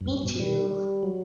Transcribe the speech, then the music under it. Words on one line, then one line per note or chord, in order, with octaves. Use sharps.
Me too.
F#2
G2
B2
G3
G3
F#3